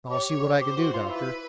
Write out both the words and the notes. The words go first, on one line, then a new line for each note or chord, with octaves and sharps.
"I'll see what I can do, Doctor."
G4 C#5
G4 C5
F#4
F4
E4 B4